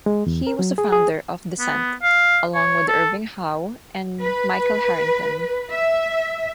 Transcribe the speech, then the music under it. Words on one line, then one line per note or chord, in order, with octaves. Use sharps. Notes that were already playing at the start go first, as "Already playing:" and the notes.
He was a founder of "Dissent", along with Irving Howe and Michael Harrington.
G#3
E2
A#4
F#3
G#4
G#4
B3
F5
C#5
A4
B4
E5